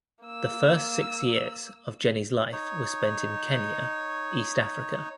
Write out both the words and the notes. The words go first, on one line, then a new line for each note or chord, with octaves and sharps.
The first six years of Jenny's life were spent in Kenya, East Africa.
A#3 E6
D#4 C#5